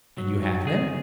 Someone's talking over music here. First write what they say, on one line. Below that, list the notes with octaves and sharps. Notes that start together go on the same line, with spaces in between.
"And you have them?"
F#3
F#3
G#4